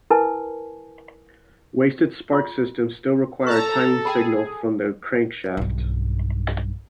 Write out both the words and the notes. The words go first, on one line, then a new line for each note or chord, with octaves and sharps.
Wasted spark systems still require a timing signal from the crankshaft.
E4 A#4 B4 G#5 A5
F4 C6
A4 A5 A#5 C#6
G#4 G5 A5 B5
B1 G2